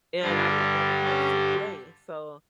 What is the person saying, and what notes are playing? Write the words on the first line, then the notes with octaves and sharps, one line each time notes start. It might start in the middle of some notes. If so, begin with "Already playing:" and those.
and I had never had souffle, so,
G2 D3 G3 F4
C#4